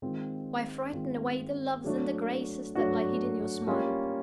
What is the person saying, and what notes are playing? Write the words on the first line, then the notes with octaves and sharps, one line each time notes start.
Why frighten away the Loves and the Graces that lie hid in your smile.
D#3 G#3 C4 F4
D#3 G#3 C4 F4
F#3 A3 D4 F#4
F#3 A3 D4 F#4
G3 A#3 C#4 F4